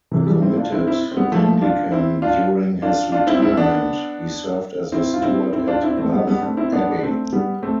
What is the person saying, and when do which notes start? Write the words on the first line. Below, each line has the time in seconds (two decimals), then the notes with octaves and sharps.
A committed Anglican, during his retirement he served as a steward at Bath Abbey.
0.11 C3 E3
0.27 E3 G3
0.42 C4 E4
0.57 D4 F4
0.72 C4 E4
0.87 C4 E4
1.11 C4
1.17 G3 B3
1.32 F3 A3
1.62 D4 F4
1.92 C4 E4
2.22 D4 F4
2.82 D4 F4
3.12 D4 F4
3.27 C4 E4
3.42 C4 E4
3.57 B3 D4
4.92 C4 E4
5.13 F4
5.22 C4 E4
5.53 C4 E4
5.68 D4 F4
5.82 C4 E4
5.97 A3 C4
6.13 G3 B3
6.27 G3 B3
6.37 D4
6.42 A3 C4
6.57 C4 E4
6.72 B3 D4
6.91 D4
7.03 A3 C4
7.33 G3 B3
7.63 A3 C4